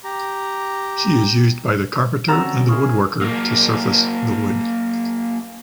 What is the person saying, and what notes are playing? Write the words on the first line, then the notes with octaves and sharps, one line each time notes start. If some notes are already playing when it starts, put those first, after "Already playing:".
She is used by the carpenter and the woodworker to surface the wood.
G4 A#5
D3 C4 C#4 F#4 A#5 E6 A6 E7
E4 F4 G#4 A#4 C#6 D#6
F#3 A#3